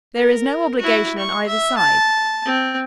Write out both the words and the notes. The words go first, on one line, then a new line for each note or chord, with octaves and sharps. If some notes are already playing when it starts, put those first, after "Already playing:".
There is no obligation on either side.
A#4
E4 F#4
C#6
E5
A5
C4